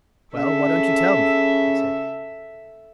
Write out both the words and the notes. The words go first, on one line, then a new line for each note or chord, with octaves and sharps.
"Well, why don't you tell me?" I said.
C#3 A4 E5